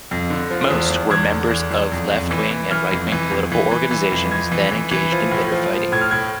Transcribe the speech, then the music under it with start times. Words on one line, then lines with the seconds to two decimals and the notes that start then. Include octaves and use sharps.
Most were members of left-wing and right-wing political organizations, then engaged in bitter fighting.
0.11 F2
0.30 D3
0.51 F3
0.71 E2
0.91 E2
1.11 E2 G#6
1.31 D3
1.51 E2
1.71 E2
1.92 F2
2.11 F2
2.31 E3
2.51 E3
2.71 E3 F6
2.91 F2
3.12 E3
3.31 F2
3.52 E3
3.71 E3
3.91 E3
4.12 F2
4.31 F2 G#6
4.51 E3
4.71 E3
4.91 E3
5.12 F3
5.31 A2
5.52 F3
5.72 F3
5.92 A2 G#6
6.01 F6
6.11 A2 G#6